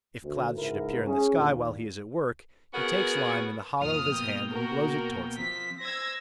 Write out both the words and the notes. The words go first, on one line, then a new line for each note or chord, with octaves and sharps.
If clouds should appear in the sky while he is at work, he takes lime in the hollow of his hand and blows it towards them.
D2
C#2 G#2 E4 A#4
C#4 G#4
D#2 A#2
B3 C#4 F#4 G#4 A#4
F2 A#2 F3 D#6 F6
B2 A#3 G5
F#4 A#4
F3 C4 B6
C5 E6 G#6 A#6